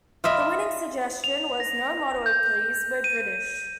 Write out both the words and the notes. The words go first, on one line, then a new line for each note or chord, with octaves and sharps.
The winning suggestion was "No motto please, we're British".
F4 D#5 E5 B5
F7
A#6
G6
D#7